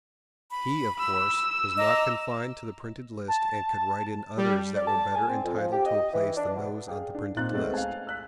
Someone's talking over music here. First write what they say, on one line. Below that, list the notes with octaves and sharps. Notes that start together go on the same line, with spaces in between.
He, of course, was not confined to the printed list and could write in others that were better entitled to a place than those on the printed list.
B5
E6
D#5 A#5 D6
A5
G3
D5
A5
G#5
C4
F2
F3
G4
D#5
E3
D4
B2
G#4 F5 G5
D4
A#2 C4 D#4 F4 F#6 A6
G#3 A3 B3 C4 D#5
F5 G#5
E6 F#6 B6